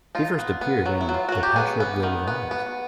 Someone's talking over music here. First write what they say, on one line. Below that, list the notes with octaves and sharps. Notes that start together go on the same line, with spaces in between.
He first appeared in "The Patchwork Girl of Oz".
D#4 F4
B3
B3
F#3
E4
F#3
F4
F#3 F#4
G4
B3 G#4
B3
D#3
B3
B3